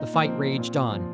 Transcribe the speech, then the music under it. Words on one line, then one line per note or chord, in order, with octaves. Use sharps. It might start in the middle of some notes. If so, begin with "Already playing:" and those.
The fight raged on.
Already playing: A#2 D#4
A#3
F3 C4
A#2
F3